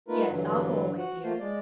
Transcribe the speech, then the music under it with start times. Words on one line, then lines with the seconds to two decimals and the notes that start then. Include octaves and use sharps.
'Yes, I'll go away, dear.
0.08 A3 D#4 F4 A#4 B4
0.29 G2 D3 E3 F#3
0.98 F#4 F#5
1.23 A3 A#3 F4 C5
1.40 G#3 D5